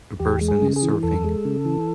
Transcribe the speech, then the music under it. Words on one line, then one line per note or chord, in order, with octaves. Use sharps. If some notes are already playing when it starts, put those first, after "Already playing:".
A person is surfing.
E2 G4
G#3
G#4
C#3
G#4
E3
E2 A4
G#3
C#3
E3